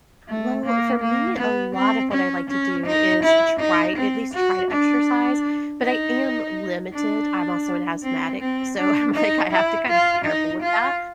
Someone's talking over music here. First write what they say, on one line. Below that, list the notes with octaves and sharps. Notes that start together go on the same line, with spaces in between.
Well, for me, a lot of what I like to do is try at least try to exercise, but I am limited. I'm also an asthmatic, so I'm like I have to kind of be careful with that.
A3
A#3
A#3
B3
C4
C#4
C#4
D#4
E4
D#4
C4
F#4
D4
D#4
D4
C4
C4
D4
D#4
E4
F4
D#4
F4